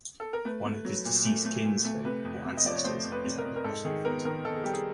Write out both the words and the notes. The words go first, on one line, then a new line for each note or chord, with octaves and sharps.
One of his deceased kinsfolk or ancestors is at the bottom of it.
A4
A#4
A3 B4
A3
F#3
A#2
A3
A3
A#2
A3
C3 B4
F2
C3
D#5
F3 D5
C#5
A3 C5
F2
B4
C3
A#4
F2
A#4
G#2 A4
D#3 G#4
B3 A#4
D#3 A#4
D#3 A4
G#4
G3 G4
G#4